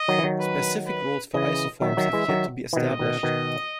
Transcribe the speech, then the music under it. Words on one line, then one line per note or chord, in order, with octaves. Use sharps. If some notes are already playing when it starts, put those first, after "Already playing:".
Specific roles for isoforms have yet to be established.
Already playing: D#5
D#3 F#3
E3
D#3 F#3
B4
B4
C#3 E3 D#5
D#3 F#3 E5
D#3 F#3
E3 G#3
D#3 F#3
E3
B2 D#3 D#5
B2 D#3
B2 D#3